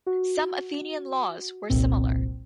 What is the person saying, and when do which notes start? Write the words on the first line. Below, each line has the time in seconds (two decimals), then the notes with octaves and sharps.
Some Athenian laws were similar.
0.06 F#4
1.70 G1 C2 A#2 C4